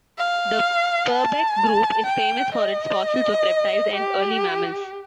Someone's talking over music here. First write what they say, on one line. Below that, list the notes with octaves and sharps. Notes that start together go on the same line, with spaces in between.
The Purbeck Group is famous for its fossils of reptiles and early mammals.
F5
A5
G5
D#5
G4